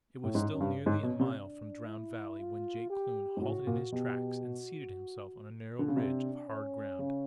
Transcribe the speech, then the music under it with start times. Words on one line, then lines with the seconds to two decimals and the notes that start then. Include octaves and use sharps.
It was still nearly a mile from Drowned Valley when Jake Kloon halted in his tracks and seated himself on a narrow ridge of hard ground.
0.24 A2
0.34 G#2 C#4
0.54 F#2
0.60 G2
0.86 G#2 C#4
1.03 B2
1.20 C3
1.36 D4
1.87 E4
2.40 F4
2.90 G4
3.37 G#2
3.41 A2 F#4
3.67 A#2
3.92 B2 G4
4.44 F#4
5.79 D3
5.88 C#3
5.97 C3 D4
6.48 C#4
6.99 C#3